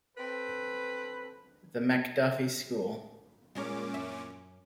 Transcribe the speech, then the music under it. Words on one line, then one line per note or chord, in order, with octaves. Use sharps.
The MacDuffie School.
C4 A4 B4
A#2 G#3 C#4 A#4 C#5 D6
F#2 E5